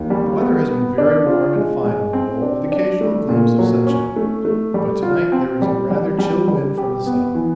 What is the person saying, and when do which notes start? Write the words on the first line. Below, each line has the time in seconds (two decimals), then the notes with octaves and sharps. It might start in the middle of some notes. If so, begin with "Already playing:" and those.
The weather has been very warm and fine on the whole, with occasional gleams of sunshine, but to-night there is a rather chill wind from the south.
Already playing: D#2
0.10 G3
0.40 B3
0.69 B3
0.98 D4
1.26 F4
1.56 G#3
1.84 G#3
2.13 C4
2.42 D4
2.72 D4
3.01 A3
3.29 A#2
3.59 F#3
3.87 C#4
4.16 A3
4.45 A3
4.74 G3
5.03 F4
5.32 C4
5.62 G3
5.90 G3
6.19 G3
6.48 G3
6.78 G4
7.06 B3
7.35 E3